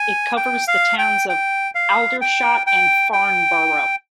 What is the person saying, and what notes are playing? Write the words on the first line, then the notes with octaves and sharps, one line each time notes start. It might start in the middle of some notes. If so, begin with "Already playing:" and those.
It covers the towns of Aldershot and Farnborough.
Already playing: G#5
G5
F5
G5
G5
F5
G5
G5
G5